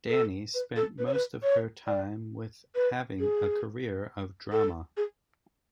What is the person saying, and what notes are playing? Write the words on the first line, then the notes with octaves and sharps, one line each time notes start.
Dani spent most of her time with having a career of drama.
A4
B4
A4
B4
C#5
B4
C#5
D5
B4
G#4
A4
G#4